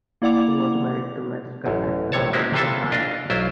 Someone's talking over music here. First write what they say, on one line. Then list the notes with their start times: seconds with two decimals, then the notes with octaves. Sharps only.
She was married to Mexican actor Sergio Mayer.
0.22 A#3 E4 D5 F#5 D6 F7
1.66 A1 F#2
2.12 A#1 A2 C3 C#5 A5
2.33 G#3 A#3 C4 C#4 E4 F#4
2.54 C3 E3 F4 A4 E5 A5
2.92 D4 F4 D#5
3.30 B1 F#3 E4 F4 C5